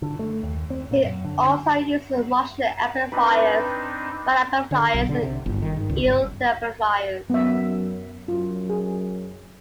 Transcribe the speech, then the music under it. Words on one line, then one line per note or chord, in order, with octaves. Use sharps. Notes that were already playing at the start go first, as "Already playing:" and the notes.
He also uses Marshall Amplifiers, Rhino amplifiers and Engl amplifiers.
D3
A3
D#2
C4
A#2
F#2
D3
C4 D4 D#4 B4
D3
B1
D3
C3
G1
D#3
G#2
C#2
G1
F#2 B3 E5
F#2 F4
G#4